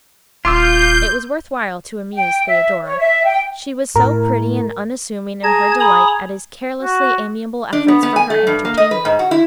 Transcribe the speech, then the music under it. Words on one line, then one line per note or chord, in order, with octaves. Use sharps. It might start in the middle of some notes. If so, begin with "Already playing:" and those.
It was worth while to amuse Theodora, she was so pretty and unassuming in her delight at his carelessly-amiable efforts for her entertainment.
D#1 F4 C6 D6 E6 G6
G5
E5
C#5
E5
G5
A2 A#4
G#4 A5 A#5 G#6
G#5 A#5 B5 D#6
F#4
D4
B3
B3
G#5
A3
G2
A#3
D#5
B4
G#2
F#4
E4